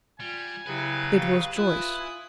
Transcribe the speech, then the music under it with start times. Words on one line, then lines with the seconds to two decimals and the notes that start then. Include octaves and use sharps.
"It was Joyce."
0.20 G3 F4 G#5
0.66 C#3 F#3 E4 G4 B4
1.11 G4 F5
1.57 E4 F4 B4 G#5 D#6